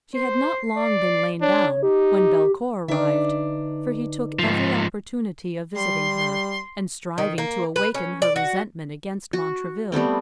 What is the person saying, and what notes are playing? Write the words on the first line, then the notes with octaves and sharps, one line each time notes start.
She had not long been lain down, when Belcour arrived, for he took every opportunity of visiting her, and striving to awaken her resentment against Montraville.
C5 C7
D5
D4 C#5
D#4 G4
D3 D4 D#4 B4 E5
G#2 F3
G3 C6
D#3
A#3
B4
C#4
D5
F#4
F#4
G3 A3 B3 C4